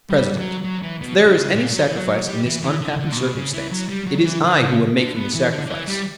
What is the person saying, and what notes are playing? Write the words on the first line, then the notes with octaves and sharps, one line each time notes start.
President, if there is any sacrifice in this unhappy circumstance, it is I who am making the sacrifice.
G3
F#3
F#3
E3
B2
D3
C#3
A#2
F#3
E3
F#3
G3
E3
E3
D3
D3
A#2
B2
C#3
E3
F#3
G3
F#3
F#3
E3
D3
C#3
D3
B3
E3
D3
D3
E3
G3